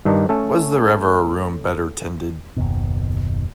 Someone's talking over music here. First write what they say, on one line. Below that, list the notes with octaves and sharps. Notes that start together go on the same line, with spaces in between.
Was there ever a room better tended?
G2 D#3 D4 D#4
A3 C#4 A4
F#1 D#2 B2